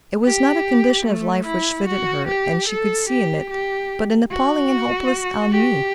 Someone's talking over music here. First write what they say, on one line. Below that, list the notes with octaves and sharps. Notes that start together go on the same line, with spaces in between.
It was not a condition of life which fitted her, and she could see in it but an appalling and hopeless ennui.
G4
A3
E4
F#4
G4
A4
G4
G4
F#4
G4